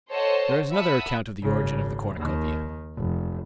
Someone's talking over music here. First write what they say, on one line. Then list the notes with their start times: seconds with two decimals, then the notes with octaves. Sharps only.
There is another account of the origin of the Cornucopia.
0.10 A4 C5 C#5 D#5 F#5 A5
0.71 E5 F#5 A5 B5 D#6
1.43 G#1 C#3
2.16 D#2 D#3
2.97 F1